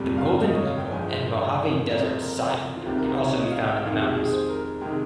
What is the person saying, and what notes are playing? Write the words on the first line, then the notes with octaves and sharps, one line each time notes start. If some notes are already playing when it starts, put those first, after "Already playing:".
The golden eagle and Mojave Desert sidewinder can also be found in the mountains.
Already playing: G1 F2 C3 G3
F5
D#5
C#5
F5
G5
G1 G2 F3 G#3 G#5
C5
C5
C#5
F1 F2 C#3 D#5
C5
A#4
C5
F4
C2 C3 D#3 G4
A#4
C5
C#5
D#5
F5
G5
F2 D#3 G#3 F5
G4
G#4
C5
A#4
C3 D#3 G#3 G4